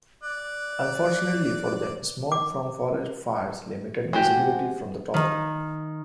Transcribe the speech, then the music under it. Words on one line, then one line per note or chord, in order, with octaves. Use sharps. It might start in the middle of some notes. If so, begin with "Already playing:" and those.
Unfortunately for them, smoke from forest fires limited visibility from the top.
D5 F#6
D6
G#3 F#4 G4
D#3